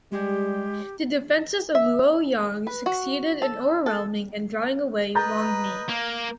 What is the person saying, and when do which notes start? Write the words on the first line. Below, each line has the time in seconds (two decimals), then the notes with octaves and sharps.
The defences of Luoyang succeeded in overwhelming and driving away Wang Mi.
0.12 G3 G#3 G4
1.75 E5
2.67 B4
2.86 F#4
3.42 A4
3.86 A4
5.15 B4 D#5 A#5 G6 A6
5.89 A#3